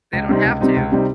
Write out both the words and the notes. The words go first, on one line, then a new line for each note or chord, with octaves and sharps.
they don't have to
C#2
C3 G3 C4 D#4
C#2
C3 G3 C4 D#4
C#2
C3 G3 C4 D#4